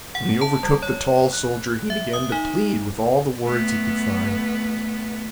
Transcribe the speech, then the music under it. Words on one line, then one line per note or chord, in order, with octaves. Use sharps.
When he overtook the tall soldier he began to plead with all the words he could find.
F#5
A5
G3
C#5
F#6
E5
D#6
D#4
A3 B3